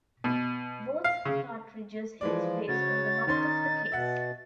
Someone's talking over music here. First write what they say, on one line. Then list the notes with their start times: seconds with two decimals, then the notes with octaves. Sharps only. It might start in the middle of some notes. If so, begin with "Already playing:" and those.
Both cartridges headspace on the mouth of the case.
0.24 B2
1.04 F5
1.25 C#3
2.21 E3 F3 G#3 D5
2.68 C#3 F#4 C#5 A6
3.27 D#3 C#4 D#4 C6
3.92 B2 E5 F#5